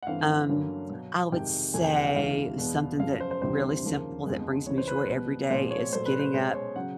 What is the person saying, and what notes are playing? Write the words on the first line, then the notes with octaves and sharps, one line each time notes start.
Um, I would say something that really simple that brings me joy every day, is getting up
F#5
G2 E3 A3 C4 F5
G2 D3 F#3 A#3 C#4
B2 F#3 B3
F2 C3 D#3 G#3 G5
E2 C3 F3 A3 G#5
G5
F#5
F5
D2 C3 E3 G#3 F5
E2 B2 G#3 B3
F#2 C#3 F3 F5
C5
C5
D2 C3 E3 G3 C4 C5
D#2 C#3 F3 A#3
F2 D3 F3 G#3 B3
C#2 C#3 E3 C#5
C5
B4
C5
B2 G3 B3 B4
A#2 F3 G#3 C4 C5
C#5
A#2 F#3 A3 C5
B4
C5
B2 G#3 C#4 C5
C#5
C#3 F#3 F#5